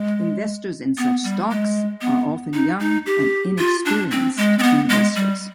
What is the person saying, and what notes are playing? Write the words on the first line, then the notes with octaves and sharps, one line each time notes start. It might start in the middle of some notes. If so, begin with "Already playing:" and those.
Investors in such stocks are often young and inexperienced investors.
Already playing: G#3
B3
G3
G#3
B3
D#4
D#4
G4
F4
D4
C4
G#3
C4
B3
G#3
G3